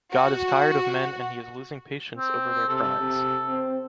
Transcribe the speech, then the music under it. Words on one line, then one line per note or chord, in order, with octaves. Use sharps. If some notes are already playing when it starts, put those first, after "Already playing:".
God is tired of men and He is losing patience over their crimes.
F#4
C4
C3 A4
C3
C4